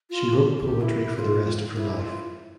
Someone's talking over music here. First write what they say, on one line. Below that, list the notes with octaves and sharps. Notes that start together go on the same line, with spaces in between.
She wrote poetry for the rest of her life.
F4
A4
G4
A4
G4
E4
F4
E4
F4